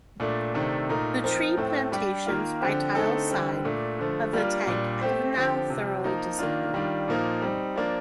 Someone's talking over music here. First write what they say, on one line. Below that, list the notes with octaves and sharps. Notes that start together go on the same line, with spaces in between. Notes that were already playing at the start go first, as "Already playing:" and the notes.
The tree plantations by tile side of the tank have now thoroughly disappeared.
A#2 A3 D4
C3 D#3 A3 D4 A4
A#2 A3 D#4 A#4
F3 C4 D#4 A#4
A2 A3 C4
G3 D4 G4
D#3 A#3 F4
D3 F3 C4 G4
D3 A3 C4 D#4 A4
D3 G3 C4
A#2 A3 D4
D3 F3 A3
G3 A#3 D4 F4
A#2 G3 D4
A3 C4 G4 C5
D3 F3 C4 G4
C3 F3 C4
F3 A#3 D#4
D#3 A#3 D4 F4
D#3 G3 D4 F4
A#2 F3 A#3 D#4
G3 C4 D#4
F3 A#3 D4